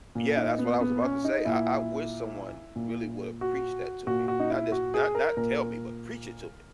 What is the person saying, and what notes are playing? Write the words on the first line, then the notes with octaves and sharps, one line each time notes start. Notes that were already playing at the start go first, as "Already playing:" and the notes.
Yeah, that's what I was about to say, I I wish someone really would've preached that to me. Not just not not tell me, but preach it to me,
A#2
D#4
B3
B3
C#4
D#4
A#2 E4
A#2
F#4
A#2 F#4
F#4
D#4
E4
F#4
G#4
A#4
A#2 A#4